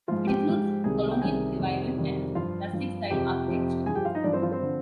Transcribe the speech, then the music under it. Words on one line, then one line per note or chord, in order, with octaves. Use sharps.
It includes Colonial Revival and Rustic Style architecture.
G#2 F3 F4 F5
G4 G5
G#2 F3
C2 C3 D#3 G3 G#4 G#5
G5
C2 C3 D#3 G3 G#4 G#5
F2 C3 D#3 G3
F2 C3 D#3 G3
G2 F3 F4 F5
G2 F3
F2 C3 F3 G4 G5
F2 C3 F3
G2 F3 G#4 G#5
G4 G5
F4 F5
D#4 D#5
G2 F3 D4 D5
C4 C5
F3 F4
C4 C5
D3 F3